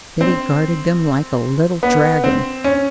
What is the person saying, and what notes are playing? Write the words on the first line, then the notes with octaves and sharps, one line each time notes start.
Betty guarded them like a little dragon.
C4
B3
C4
C#4